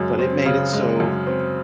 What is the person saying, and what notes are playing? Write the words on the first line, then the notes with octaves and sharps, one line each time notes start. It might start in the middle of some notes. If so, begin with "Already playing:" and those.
but it made it so,
Already playing: F#2 C#3 G#3
C4
C#3
G#3
F#2
C4